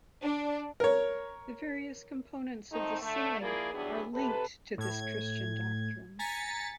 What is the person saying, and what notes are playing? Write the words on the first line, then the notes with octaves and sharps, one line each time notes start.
The various components of the ceiling are linked to this Christian doctrine.
D4
A#4 C#5
F2 D#3 A3 C4 D#4
D3 A3
F3 A#3 E4 G#4 A#4 D5
E3 F#3 G3 B3 D4 G#4
C3 A4 B4
A2 G#6
G#5 A#5 A6 B6 C#7